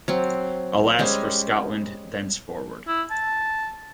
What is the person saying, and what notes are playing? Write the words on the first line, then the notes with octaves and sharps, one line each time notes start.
Alas for Scotland thenceforward.
F#3 C4
G3 G#3 C#4 C5
E4
A5